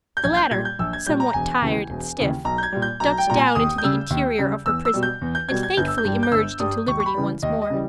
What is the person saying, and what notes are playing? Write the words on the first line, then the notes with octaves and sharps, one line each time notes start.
The latter, somewhat tired and stiff, ducked down into the interior of her prison and thankfully emerged into liberty once more.
G6
A#1 G#6
G6
A#2 G3 G#6
G6
A#1 E6
G#6
A#2 G3 G6
A#5
E1 G#5
D#2 C#3 E3
E1
D#2 C#3 E3
B1 A#5
G6
G#6
A#2 G3
G6
B1 A#5
G5
A#2 G3 A#5
G#5
D#2 D#6
G6
C#3 G3 E6
D#2
C#3 G3
E2 E6
E6
B2 G3
G6
E2
G6
B2 G3 G#6
G#6
G1 G6
E6
G6
G2 G3
G6
G1 E6
G2 G3 D#6
D#2 C#6
C#6
B5
C#3 E3 G3
D#2 D#5
D#5
C#3 E3 G3